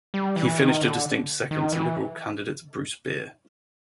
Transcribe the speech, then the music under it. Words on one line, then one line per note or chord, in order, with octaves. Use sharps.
He finished a distant second to Liberal candidate Bruce Beer.
G3
E3
D#3
D3
D#3
E3